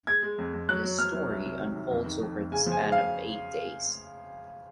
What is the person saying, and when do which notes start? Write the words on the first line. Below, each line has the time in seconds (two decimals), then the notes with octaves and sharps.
The story unfolds over the span of eight days.
0.07 G#3 G#6
0.23 G#3
0.38 F2
0.53 F2
0.69 F#3 F#6
0.84 F#3
0.99 F#3 F6
1.14 F#3
1.30 C2
1.44 C3
1.61 D#3
1.75 C2
1.91 F2
2.06 D#3
2.21 F2
2.36 F2
2.52 C#3 G#5
2.66 F3
2.72 G#5
2.81 C#3
2.92 F5
2.97 C#3